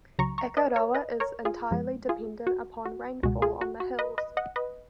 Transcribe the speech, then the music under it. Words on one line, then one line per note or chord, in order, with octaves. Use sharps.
Akaroa is entirely dependent upon rainfall on the hills.
C#2 C#3 F#3 A#5 C#6
A#5 C#6
B4 D#5
A#4 C#5
B4 D#5
A#4 C#5
F4 G#4
F#2 F3 G#3
F4 G#4
F#4
F#4
C#2 B2 G#3 F#4
F4 G#4
F#4
F#4
B4 D#5
B4 D#5
D#5 F#5
B4 D#5